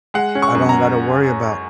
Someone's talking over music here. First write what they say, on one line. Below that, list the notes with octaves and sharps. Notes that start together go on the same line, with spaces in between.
"I don't gotta worry about,"
G#3 F#5
C#4
C#6
F#2
A#5